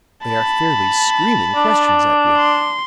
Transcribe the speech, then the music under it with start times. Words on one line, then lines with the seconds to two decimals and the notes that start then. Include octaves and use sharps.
"They are fairly screaming questions at you."
0.25 A5 B5
1.56 D4
2.38 C6